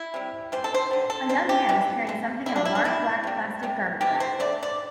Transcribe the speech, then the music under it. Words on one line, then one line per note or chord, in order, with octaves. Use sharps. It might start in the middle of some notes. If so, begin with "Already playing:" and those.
A young man is carrying something in a large black plastic garbage bag.
Already playing: E4
C3 G3
C3 E3 G3 C5
A4
C5
D3 G3
A4
C3 G3 C5
G4
C3 E3 G3
D3 A3
D3 G3 E4
D4
E4
D4
D3 G3 E4
C3 G3
C3 G3
C3 E3 A3 G4
C5
D3 A3 D5
D5